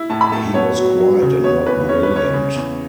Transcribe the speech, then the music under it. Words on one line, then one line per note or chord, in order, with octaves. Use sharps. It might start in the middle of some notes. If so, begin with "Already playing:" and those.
He was quiet and not brilliant.
Already playing: E4
A2 A5
B5
A3 A5
B3 C#5
F#3
F#3
C#3
B3 C#5
E2 B4
C#4 C#5
B4
C#4 C#5
C#3
E2